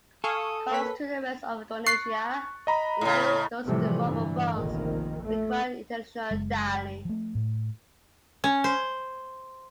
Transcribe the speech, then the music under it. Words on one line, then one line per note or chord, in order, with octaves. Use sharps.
Calls to the rest of Indonesia, including those to mobile phones, require international dialling.
A4 F5 G#5 C#6 D#6
A#3 B4 C#5 B6
C#6 F#6 A6 C7
D#5 A#5 B5
A2 C#3
A2 C3 E3 F3 G3 A3
G2 D3 E3
F1 A#1 D#3
A3
F#1 G#3
F3 A3
A2
C#4
C5